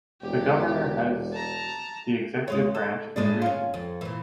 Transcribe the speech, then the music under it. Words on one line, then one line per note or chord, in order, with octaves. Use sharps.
The governor heads the executive branch in the region.
E1 G4
A5 A#5
D#2 G#3 C#5
A4
A2 G#3 D4
C#4 F4
F2
A#2 E3